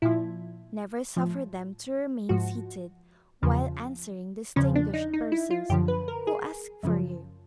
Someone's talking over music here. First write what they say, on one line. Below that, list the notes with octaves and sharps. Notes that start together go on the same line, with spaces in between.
Never suffer them to remain seated while answering distinguished persons who ask for you.
A#2 F3 E4
A2 F3
G#2 F3 F#4
E2 C#3 F3
E2 C#3 F3 C#4
D4
D#4
D#4
E4
F4
F#2 D3 F3 G4
B4
A#4
G#4
F#2 C#3 F3